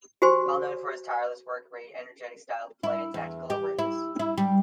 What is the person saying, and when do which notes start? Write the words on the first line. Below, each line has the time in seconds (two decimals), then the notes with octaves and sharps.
Well known for his tireless work-rate, energetic style of play, and tactical awareness.
0.22 F#4 G4 C5 G#5 C6
2.83 E4
3.14 E2
3.50 G4
3.79 E4
4.19 E4
4.38 G3